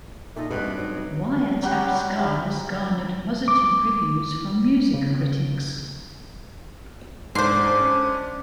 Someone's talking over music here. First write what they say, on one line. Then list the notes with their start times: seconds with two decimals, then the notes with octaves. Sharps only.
"Wiretap Scars" garnered positive reviews from music critics.
0.36 A#2 A3 D#4 A4
0.51 G2 B2 G3 C4 B4
0.77 F#3 D#4
1.62 F#3 G3 F#5 G5
2.16 G3 E5
3.48 D6
4.94 C#3
7.35 G#2 D4 C5 C6
7.81 C#4